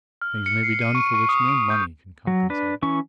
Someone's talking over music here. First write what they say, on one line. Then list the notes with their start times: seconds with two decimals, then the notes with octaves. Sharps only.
Things may be done for which no money can compensate.
0.22 F6
0.46 C#7
0.63 C7
0.82 D#7
0.95 C#6
1.14 C#6
1.29 D#6
1.48 D7
1.70 G6
2.27 F#3
2.50 D4 B4
2.82 E3 C#4 C#6